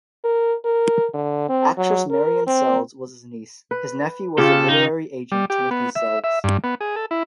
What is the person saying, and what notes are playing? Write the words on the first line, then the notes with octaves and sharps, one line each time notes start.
Actress Marian Seldes was his niece; his nephew was the literary agent Timothy Seldes.
A#4
A#4
D3
C4
F#3
A#4
C4
B4
C#3 F4 G4 A4
D#4
G3
G4
B3
E5
E5
G2
B3
G#4
A4
E4